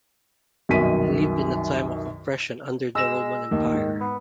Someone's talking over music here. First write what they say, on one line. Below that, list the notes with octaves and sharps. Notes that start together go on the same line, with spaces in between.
He lived in a time of oppression under the Roman Empire.
C2 F#2 B2 D#3 B6 D#7
G#3 E6 A#6 E7
D#2 D#3 A#3
G#2
B3